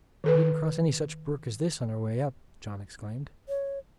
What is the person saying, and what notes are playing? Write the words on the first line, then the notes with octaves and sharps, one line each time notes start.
"We didn't cross any such brook as this on our way up!" John exclaimed.
D#3 A4 B4
C#5